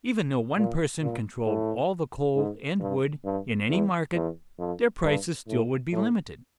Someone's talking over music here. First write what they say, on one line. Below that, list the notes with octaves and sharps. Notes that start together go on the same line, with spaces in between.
Even though one person controlled all the coal and wood in any market, their prices still would be limited.
A#2
A#2
A2
G#2
G2
G2
E2
E2
F2
G2
A2
A2